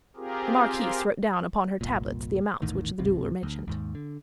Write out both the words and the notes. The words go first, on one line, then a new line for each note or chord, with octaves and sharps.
The marquise wrote down upon her tablets the amount which the jeweler mentioned.
C4 F4 G4 G#4 A#4
G1 C2 A#2
A#1 E2 A2 D#3
D1 G#1 C#2 C3
D2
D#2 G#2
D3